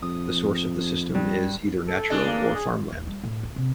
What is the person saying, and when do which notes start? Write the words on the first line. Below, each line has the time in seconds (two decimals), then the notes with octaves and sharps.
The source of the system is either natural or farmland.
0.02 F2 D#6
1.14 G2
1.88 A4
2.10 G#3 D4
2.25 A#3
2.55 G#4
2.92 D#2
3.07 G3
3.24 A2
3.43 D2
3.56 C3